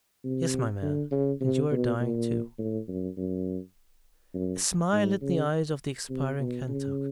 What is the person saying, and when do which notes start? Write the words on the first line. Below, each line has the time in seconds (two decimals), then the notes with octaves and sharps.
"Yes, my man, and you are dying too." A smile lit the eyes of the expiring Kentuck.
0.24 C3
0.82 D3
1.12 C#3
1.41 C3
1.71 B2
2.00 A#2
2.58 A2
2.88 F#2
3.17 F#2
4.34 F#2
4.93 G#2
5.22 C#3
6.10 C3
6.39 B2
6.69 C#3